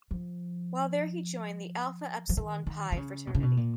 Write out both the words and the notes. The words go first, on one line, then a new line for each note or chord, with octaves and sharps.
While there he joined the Alpha Epsilon Pi fraternity.
F3
F3
D#3
D#3
D#3
C#3
B2
C#3
B2
A#2